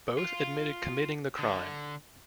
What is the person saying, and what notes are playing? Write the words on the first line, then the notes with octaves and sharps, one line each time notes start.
Both admitted committing the crime.
F4
D3